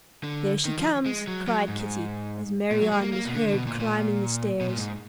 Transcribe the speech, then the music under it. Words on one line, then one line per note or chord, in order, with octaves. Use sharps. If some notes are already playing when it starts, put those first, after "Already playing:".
"There she comes," cried Kitty, as Marianne was heard climbing the stairs.
D3
D#3
F3
G#3
F#3
F#3
G#2
A#2
F#3
G#3
A#3
A#3
B2
D3
D3
B2
A#2
A#2
B2
A#2
G#2